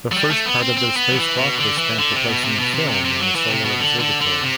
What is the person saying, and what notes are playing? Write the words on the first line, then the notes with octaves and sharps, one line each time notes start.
The first part of their spacewalk was spent replacing film in the solar observatory.
F#3
G3
A3
B3
C4
C4
B3
F#3
E3
B2
D3
E3
D3
C3
B2
C3
B2
C3
C3
C3
F#3
E3
C3
B2
D3
D3
D3
C3